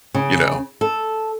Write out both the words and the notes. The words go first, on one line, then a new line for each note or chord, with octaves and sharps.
you know,
C#3
A4